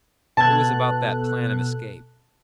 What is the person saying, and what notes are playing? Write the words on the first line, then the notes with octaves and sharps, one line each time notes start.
It was about that plan of escape.
B2 A4 A5 F#6 G#6